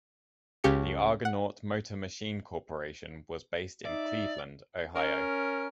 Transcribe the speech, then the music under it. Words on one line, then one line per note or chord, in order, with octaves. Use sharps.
The Argonaut Motor Machine Corporation was based in Cleveland, Ohio.
C#2 C#3 G4 C#7
F#5
D#4 D5 E5
C#4 A#4